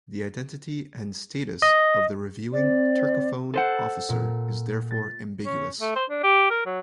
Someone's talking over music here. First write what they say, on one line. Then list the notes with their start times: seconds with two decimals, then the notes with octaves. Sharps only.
The identity and status of the reviewing, turcophone officer is therefore ambiguous.
1.62 D#5
2.53 C4 D5
3.54 A4 C5 F#5
4.09 A#2
4.91 A6
5.45 C#4
5.80 A3
5.96 C5
6.10 D4
6.23 G4
6.50 A#4
6.66 F#3